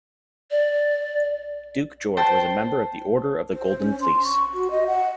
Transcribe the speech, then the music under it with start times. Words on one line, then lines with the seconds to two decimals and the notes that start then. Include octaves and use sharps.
Duke George was a member of the Order of the Golden Fleece.
0.51 D5
2.17 C5 G5 A5
3.52 C5
3.79 C#4
4.01 C6
4.24 C#6
4.54 F#4
4.71 D#5
4.87 F#5